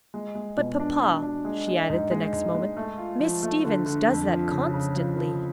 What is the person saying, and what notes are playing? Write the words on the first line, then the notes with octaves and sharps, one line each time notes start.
"But, papa," she added the next moment, "Miss Stevens does that constantly."
G#3
G#3
B2
D4
D4
D4
G#3
G#3
G#2
G#3
G#2
G#3
A3
F4
F3
A3
D3
D3
F2
F3
C#3
C#3
F3
F3